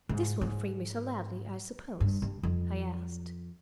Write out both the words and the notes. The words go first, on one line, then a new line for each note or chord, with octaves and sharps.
"This will free Mr. Ladley, I suppose?" I asked.
G#2
G#2
G2
G2
F2